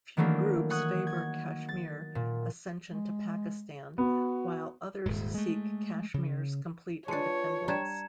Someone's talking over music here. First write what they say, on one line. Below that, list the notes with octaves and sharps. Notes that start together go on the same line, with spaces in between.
Few groups favour Kashmir accession to Pakistan, while others seek Kashmir's complete independence.
D#3 E3 F#3 A3 A#3 D4
F#5 C#6 D#6 F#6 G#6
G#6
A6
A#2
G#3
B3 F#4
D#1 G#2
G#3 A3
C#3
G#3 D4 F4 B4 C#5 A5 C#7
G3 D4 G4 A#5 G#6 E7